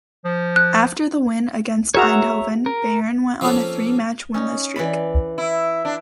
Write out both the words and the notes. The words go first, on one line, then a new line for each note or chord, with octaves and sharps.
After the win against Eindhoven, Bayern went on a three match winless streak.
F3
F#6
F#4 G#4 A#4 C#5 E5 A#5
A#4
F3 A#3 C4 C#4 A4
C#4 D#4
E3 D5 B5
E4
D4